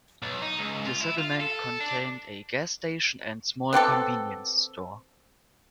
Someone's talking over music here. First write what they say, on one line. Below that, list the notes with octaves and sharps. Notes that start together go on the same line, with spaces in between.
The settlement contained a gas station and small convenience store.
B1
D#4
C#2
F4
E4
F4
A4
D4
B3 C4 G4 A4